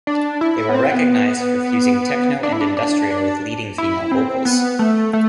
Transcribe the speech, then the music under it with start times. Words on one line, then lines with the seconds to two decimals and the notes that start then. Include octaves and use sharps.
They were recognized for fusing techno and industrial with leading female vocals.
0.07 D4
0.41 E4
0.58 E4
0.69 B3
0.74 C4
0.92 B3
2.43 D4
2.52 E4
2.61 D4
2.77 D4
3.11 D4
3.78 E4
4.12 C4
4.45 B3
4.79 A3
5.13 A3